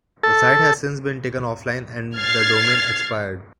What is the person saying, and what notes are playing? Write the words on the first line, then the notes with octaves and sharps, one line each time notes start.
The site has since been taken offline and the domain expired.
A4
F6 G#6 A6 C7